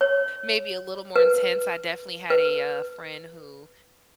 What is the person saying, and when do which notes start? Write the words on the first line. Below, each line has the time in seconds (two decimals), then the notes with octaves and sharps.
maybe a little more intense, I definitely had a, uh, friend who
0.01 C#5
1.16 B4
2.30 B4